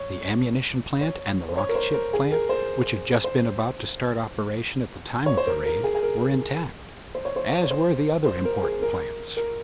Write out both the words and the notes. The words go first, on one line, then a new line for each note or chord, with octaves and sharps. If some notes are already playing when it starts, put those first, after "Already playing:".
The ammunition plant, and the rocket-ship plant, which had just been about to start operation at the time of the raid, were intact, as were the other important plants.
Already playing: C#5
C#5
C5
C#5
A#4
C5
A#4
G#4
A#4
C5
C5
C#5
C5
A#4
A#4
G#4
G#4
A#4
C5
C#5
C5
C#5
C5
C5
A#4
G#4
A#4
A#4